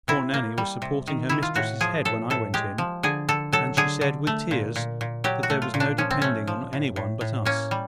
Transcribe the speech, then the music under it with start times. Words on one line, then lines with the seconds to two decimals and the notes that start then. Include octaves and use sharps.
Poor Nanny was supporting her mistress's head when I went in; and she said, with tears, that there was no depending on any one but us.
0.08 C3 E4
0.34 A#3
0.58 G3
0.82 C3
1.07 D#3
1.29 D#3 E4
1.43 F4
1.56 A2 F#4
1.81 F3 G#4
2.05 A2 A4
2.30 A2 A4
2.54 G#3 G4
2.78 F3
3.03 D3 G#4
3.29 D3 A4
3.53 F#3 A4
3.77 D3 G#4
4.01 D3
4.27 A3
4.51 A#2
4.76 A#2
5.01 A#2
5.24 F#3 G4
5.43 F#4
5.50 A3
5.62 F4
5.74 A#2
5.80 D4
5.98 F3 C#4
6.11 C4
6.22 A3 C#4
6.47 F3
6.73 A2
6.96 A2
7.21 A2
7.45 A#3 C#4
7.71 G3